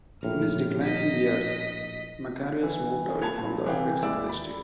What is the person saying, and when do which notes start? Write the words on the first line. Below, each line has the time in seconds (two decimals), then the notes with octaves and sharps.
In his declining years, Macarius moved away from the affairs of the state.
0.23 A#1 A2 F6
0.83 D#5 B6
2.63 E3
3.22 A5 B5 G#6 F7
3.38 A#2
3.65 C3 E3 F5 G5
4.02 D#2 G#2 E4 G#4 D5 E6
4.29 B5